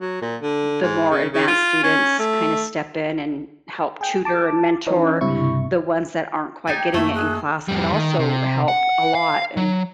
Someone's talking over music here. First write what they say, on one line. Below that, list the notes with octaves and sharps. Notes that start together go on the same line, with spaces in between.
the more advanced students kinda step in and help tutor and mentor the ones that aren't quite getting it in class could also help a lot, and
F#3
A#2
D3
G#2
C#3
C#3
F4
C#4
A3
G#4 G5
A5 D6
E3 C#4 D#4
C#2 G2 C3 E4 C#6
D#4 G4 G#5 A6
G5
F#2 A3 A#3 E5 C#6
G#4 F#6
F2 G3
D#3
C3
F#5
F5
F#3